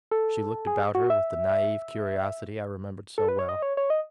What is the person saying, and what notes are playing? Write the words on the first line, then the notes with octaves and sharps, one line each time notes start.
She looked about her with the naive curiosity I remembered so well.
A4
G#4
F#4
E5
A4
B4
C#5
D#5
C#5
C#5
D#5